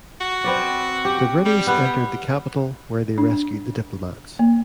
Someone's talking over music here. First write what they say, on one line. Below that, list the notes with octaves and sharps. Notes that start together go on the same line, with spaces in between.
The British entered the capital, where they rescued the diplomats.
F#4
C4 B4 D5
G4
G3
B3 B4
D4
A#3